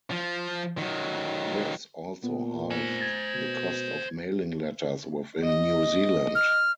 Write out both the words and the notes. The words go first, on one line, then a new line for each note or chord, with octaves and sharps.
This also halved the cost of mailing letters within New Zealand.
F3
D#3 F#3
A#2 B3
C5 G#5
G#6 A6
B2 G#6
D#5
F6